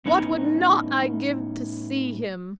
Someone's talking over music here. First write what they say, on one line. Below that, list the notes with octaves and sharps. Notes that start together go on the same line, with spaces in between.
What would not I give to see him!
A2 B3 C#4 D#4